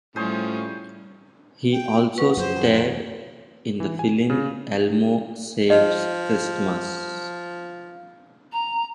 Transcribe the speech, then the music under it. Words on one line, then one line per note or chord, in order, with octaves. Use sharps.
He also starred in the film "Elmo Saves Christmas".
A2 F3 G3 C#4 G#4 C5
G5
F#4 B4 C#6
F#2 F3 C5
E1 C3 G#4
E3
G#5
C#3
F3 D#5
A#5